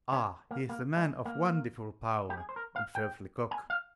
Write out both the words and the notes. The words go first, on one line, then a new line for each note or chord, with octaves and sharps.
"Ah, he's a man of wonderful power!" observed Lecoq.
C#4
A#3
A#3
G#3
A#3
G4
G#4
C5
A#4
F5
G5
G#5
F5